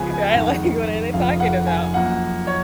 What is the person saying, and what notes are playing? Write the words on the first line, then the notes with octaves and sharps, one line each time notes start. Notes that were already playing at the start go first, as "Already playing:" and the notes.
Right. Like, what are they talking about?
Already playing: C#2 C#3 F3 B3 G#5
G#5
F2 D#3 G#3 F#5
F1 F2 C#3 F3 F5
F#5
G#5
F#2 F3 A#3 F#5
C#5